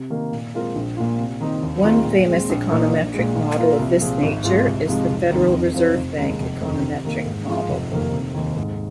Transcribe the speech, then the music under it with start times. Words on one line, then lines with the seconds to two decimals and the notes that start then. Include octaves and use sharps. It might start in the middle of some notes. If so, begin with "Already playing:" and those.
One famous econometric model of this nature is the Federal Reserve Bank econometric model.
Already playing: C3
0.10 D#3 A#3
0.32 A#2
0.54 G#3 C4 F4 A#4
0.75 A#1
0.97 A#2 A#3 F4
1.19 C3
1.41 D#3 C4 D#4
1.63 D#2
1.84 D#3 G#3 C4 F4
2.05 A#2
2.27 G#3 C4
2.49 A#1
2.70 A#2 A#3 D#4 A#4
2.92 A#1
3.14 A#2 G#3
3.36 A#2
3.57 A#3 F4 A#4
3.79 C2
4.01 A#2 F3 C4 G#4
4.23 G#1
4.44 G#2 G#3 F4
4.66 C2
4.88 C3 F3 G#3 D#4
5.09 F1
5.31 D#2 D#3 C4 D#4
5.52 F2
5.74 F3 C4 D#4 C5
5.96 F1
6.18 D#2 D#3 G#3
6.40 F1
6.61 F2 D#3
6.82 C3
7.05 D#3 A#3
7.26 G#2
7.47 F3 G#3 F4
7.69 F1
7.91 F2 C3 D#3 A#3
8.13 F1
8.34 D#2 D#3
8.57 G#2